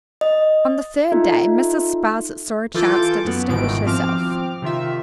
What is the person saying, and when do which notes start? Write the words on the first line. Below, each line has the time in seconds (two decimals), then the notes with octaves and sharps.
On the third day Mrs. Sparsit saw a chance to distinguish herself.
0.21 D#5
1.12 D#4 F4 A4 E5
2.74 E3 F4 A4 D6 G6 A6
3.25 F#2 B3
3.49 G1 G#2 B2 D#3 E3 D7
3.86 F3 C4 D6 F6
4.62 C3 D#3 F4 E5